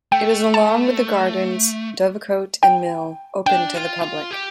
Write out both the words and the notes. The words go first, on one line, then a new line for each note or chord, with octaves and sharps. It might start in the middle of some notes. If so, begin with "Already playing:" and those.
It is along with the gardens, dovecote and mill open to the public.
A3 G5
A5
G5
D4 G5
F4
F4
G4